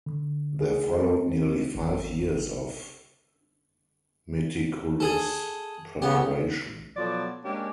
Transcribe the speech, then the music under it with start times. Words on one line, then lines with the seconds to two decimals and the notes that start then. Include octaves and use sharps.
There followed nearly five years of meticulous preparation.
0.06 D3
0.61 G#4
1.01 C4
1.75 G#1
5.00 G#4 A4
6.02 C#3 B3 G4
6.97 B2 F3 F#3 A4 D5
7.44 G#3 A#3 C#4 D4 G4